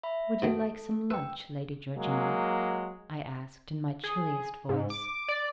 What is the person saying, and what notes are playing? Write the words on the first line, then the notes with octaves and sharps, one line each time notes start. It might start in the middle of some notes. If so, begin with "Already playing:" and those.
'Would you like some lunch, Lady Georgina?' I asked, in my chilliest voice.
E5 B5
G#2 B2 D#3 A4
B4 G5 E6
F#3 G#3 A#3
G#4
G#2
D6
D5